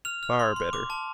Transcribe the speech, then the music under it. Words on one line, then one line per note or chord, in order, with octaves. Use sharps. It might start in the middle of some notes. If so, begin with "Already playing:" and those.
Far better.
F6 F7
F6
C6
C6
D6
A5